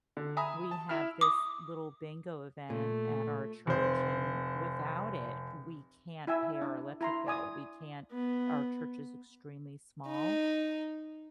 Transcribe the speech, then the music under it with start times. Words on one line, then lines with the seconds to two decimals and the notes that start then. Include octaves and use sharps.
we have this little bingo event at our church, and without it, we can't pay our electric bill, we can't Our church is extremely small,
0.17 D3
0.37 E5 G#5 A#5 B5 D#6
0.71 A5
0.89 E4 E5 F6
1.21 D6 D#6
2.70 A#2 A3
3.67 F1 C5
6.27 E4 E5 G5 G#5 E6
6.62 D4
7.01 E4 A#5 C6
7.27 D5 G#5 D#6
8.12 B3
10.07 D#4